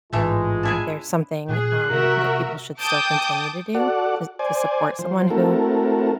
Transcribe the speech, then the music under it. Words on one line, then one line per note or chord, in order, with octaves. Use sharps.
there's something, um, that people should still continue to do? To to support someone who
A1 G#2 E3 G#3 A3 F4
D4 E4 G#4
A#2 G#4 F#6
C3 F#4 A#4 E5
G5 A5 D6 D#6 G6
F#4 A4 D5 F#5
C5 D5 G#5
F3 C5
A3 C4 E4 F#4 A4 A#4